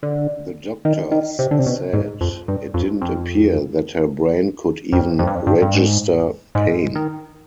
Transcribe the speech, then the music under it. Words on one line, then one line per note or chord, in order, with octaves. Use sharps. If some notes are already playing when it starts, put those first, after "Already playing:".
The doctors said it didn't appear that her brain could even register pain.
D3
D#3
D#3
C3
D3
C3
B2
G#2
F2
G2
F2
F2
F2
F2
G2
F2
G2
G2
G#2
G#2
D#3